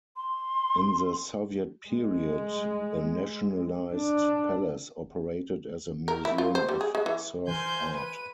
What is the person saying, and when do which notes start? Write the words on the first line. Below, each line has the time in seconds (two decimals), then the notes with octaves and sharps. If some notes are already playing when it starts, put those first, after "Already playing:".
In the Soviet period the nationalized palace operated as a museum of serf art.
0.16 C6
1.89 G#3
3.94 D4
6.08 A#4
6.25 E4
6.38 F4
6.55 C5
6.69 G3
6.81 G#4
6.95 G#3
7.06 E3
7.48 E3 A#4 C5 G#5 C6 G6
7.96 B4 D#7